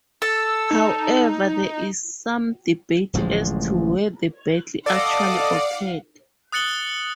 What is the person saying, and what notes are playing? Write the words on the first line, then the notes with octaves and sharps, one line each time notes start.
However, there is some debate as to where the battle actually occurred.
A4 E6
D#4
D1 A1 F3 G#3
A4 D5 D#5 F5 F#5 D6
D#6 F#6 A6 C#7 F#7 G7